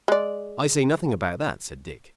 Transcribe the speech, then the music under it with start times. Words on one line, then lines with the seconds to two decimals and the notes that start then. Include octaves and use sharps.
"I say nothing about that," said Dick.
0.08 G#3 D5